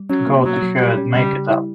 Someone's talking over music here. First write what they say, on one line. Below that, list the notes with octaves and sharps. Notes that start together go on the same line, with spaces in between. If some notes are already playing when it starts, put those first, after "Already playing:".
Go to her and make it up.
Already playing: G3
F#3 C#4
A#3
B2 F#3
F#3
G3 G4
C#4
C#3 G3
G3
E4